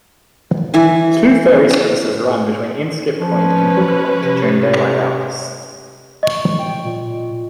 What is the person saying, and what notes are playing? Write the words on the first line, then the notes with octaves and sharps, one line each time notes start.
Two ferry services run between Inskip Point and Hook Point during daylight hours.
E3 G#5
F3 C#4 B4
C3
D#5 C#6
G5
A#2